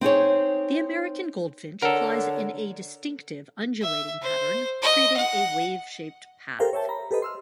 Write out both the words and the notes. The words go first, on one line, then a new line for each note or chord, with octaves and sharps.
The American goldfinch flies in a distinctive undulating pattern, creating a wave-shaped path.
C4 D#4 G#4 C#5
D3 A4 A#4 C#5 F#5
E5
C5
D#5
F#5
G4 A4 A#4 C5 F5 G5
C#5 E5 G5 A5
A#5 B5
G4 A4 B4 C5 D#5 B5
C6 E6 F6